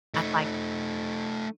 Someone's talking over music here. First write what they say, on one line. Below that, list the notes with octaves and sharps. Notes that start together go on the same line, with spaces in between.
I'm, like
A3 D#4